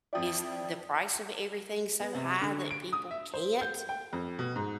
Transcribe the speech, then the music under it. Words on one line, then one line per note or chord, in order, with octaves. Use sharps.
is the price of everything so high that people can't?
F2 F3 E4 D5 G5 D#6
B3
C3
D3
D7
D#6
E5
C5
G6
G5
F2
B2
G#2